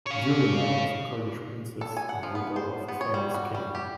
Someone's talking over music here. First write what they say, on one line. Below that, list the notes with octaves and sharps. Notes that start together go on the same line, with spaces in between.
Durimeh is a Kurdish princess and widow of a famous king.
C#5 F5
A4
G#5
F#5
F3
B3
C5
B3
C#5
G3
F#4
G3
G4